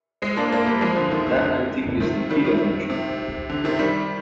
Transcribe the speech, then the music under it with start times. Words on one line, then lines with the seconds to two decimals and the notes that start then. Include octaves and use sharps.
That, I think, is the key definition.
0.22 G#3 C4
0.36 A#3 D4
0.51 A#3 D4
0.66 G3 A#3
0.81 F3 G#3
0.96 D3 F3
1.11 C3 D#3
1.26 C3 D#3
1.41 D3
2.00 C3 D#3
2.30 D#3 G3
2.45 C3 D#3
2.90 C3
3.50 D3
3.64 C3 D#3
3.79 D#3 G3